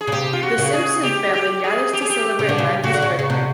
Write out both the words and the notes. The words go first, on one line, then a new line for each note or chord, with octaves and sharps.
The Simpson family gathers to celebrate Maggie's birthday.
G#4
C#3
C3 G4
F4
F#4
C#3
G#4
G4
G4
G#4
G4
G#4
G4
C#3 G4
D3
C#3
C#3 F#4
D3
C#3
C#3
C3